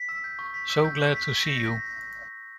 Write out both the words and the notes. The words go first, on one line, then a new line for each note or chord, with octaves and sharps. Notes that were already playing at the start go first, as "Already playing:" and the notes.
So glad to see you.
Already playing: B6
E6
G6
C#6
B6
E6
G6
C#6
B6
G6
A#6